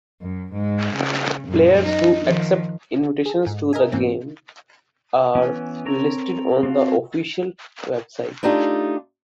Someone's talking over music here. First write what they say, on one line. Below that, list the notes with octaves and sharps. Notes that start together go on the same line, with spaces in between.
Players who accept invitations to the game are listed on the official website.
F#2
G#2
C#3
F#2 A#2
D#4
D#3 F3
G#4 A4
G#2
A#4 D#5 E5 G#5
G#2 E3 A#3 C4 C#4
E3 B3 C#4
C4 A4 A#4 C#5 A#5
C4 F#4 A4 F5
A3 D4 D#4 F4 G4